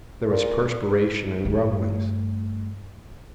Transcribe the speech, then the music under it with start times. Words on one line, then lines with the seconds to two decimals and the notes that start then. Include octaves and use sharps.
There was perspiration and grumblings.
0.30 A#2
1.45 G2 A3